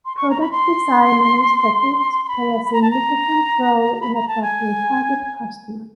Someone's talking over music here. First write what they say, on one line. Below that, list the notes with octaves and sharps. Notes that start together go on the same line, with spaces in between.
Product design and aesthetics play a significant role in attracting target customers.
C6
C#6
A#5
B5
C6
C6
B5
B5
A#5
A5
A#5
B5
A#5
A5
G#5